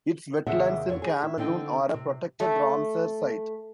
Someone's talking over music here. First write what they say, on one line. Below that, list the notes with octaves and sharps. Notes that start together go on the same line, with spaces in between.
Its wetlands in Cameroon are a protected Ramsar site.
D#2 C3 C4 G#4 E5 F#5
F2 C#5
G#4
E4
D3 C4 D#4 G5
C3
A3